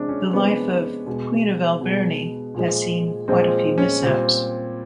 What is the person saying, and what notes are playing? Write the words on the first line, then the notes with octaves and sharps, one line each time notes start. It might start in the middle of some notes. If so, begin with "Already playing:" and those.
The life of "Queen of Alberni" has seen quite a few mishaps.
Already playing: C3 F3 G#3 D4
C#4
C3 F3 G#3 B3
B2 G#3
B2 G#3
A#2 F3 G#3
A#2 F3 G#3 C4
C#4
A#2 G3 C4